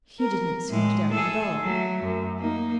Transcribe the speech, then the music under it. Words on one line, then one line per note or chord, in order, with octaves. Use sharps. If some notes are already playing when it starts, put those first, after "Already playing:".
"He did'nt seem to doubt it at all."
A#4
A2 G#3
G#4 A4
F#3 A3
F#2
A#3 D#4